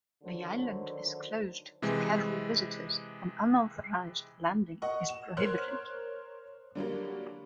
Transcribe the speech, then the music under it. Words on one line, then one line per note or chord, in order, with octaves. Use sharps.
The island is closed to casual visitors and unauthorised landing is prohibited.
D3 D#3 F#3 C5
C3 E3 G#3
D#5 F#5 C#6
E7
A#4 C5 C#5 C6 F6 F#6
D3 F#3 G3 A#3